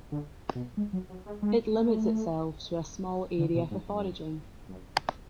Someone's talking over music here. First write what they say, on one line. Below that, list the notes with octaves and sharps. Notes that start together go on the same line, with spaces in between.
It limits itself to a small area for foraging.
D3
B2
G#3
F#3
F#3
G#3
G#3
A3
D3
B2
G#2
F#2
F#2